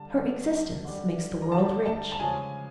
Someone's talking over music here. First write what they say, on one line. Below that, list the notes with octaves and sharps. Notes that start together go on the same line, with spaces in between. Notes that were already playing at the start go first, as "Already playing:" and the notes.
Her existence makes the world rich.
Already playing: D3 G3 A5
D3 G3
D3 G3
A#5
D3 G3 A5
A5
A5
C#3 F3 G#3 G#5